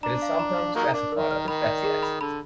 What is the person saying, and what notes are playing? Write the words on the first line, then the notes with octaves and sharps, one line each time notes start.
It is sometimes classified as a fatty acid.
D4 A#5
F5
A#5
F5
F#3 A#3 D#4 A#4
D4 A#4
D#3 A#4
F6
D#3 B5
D5
G#4
B5
D3 B5